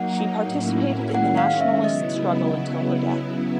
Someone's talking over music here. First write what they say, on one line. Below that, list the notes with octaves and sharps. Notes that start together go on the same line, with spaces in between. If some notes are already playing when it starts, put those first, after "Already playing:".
She participated in the nationalist struggle until her death.
Already playing: F#3 A#3 D#4 F#5
A2 F#3 A#3 C#4 E4
D#3 G#3 C#4 F#5
F5
E5
C#3 F#3 B3 E4 D#5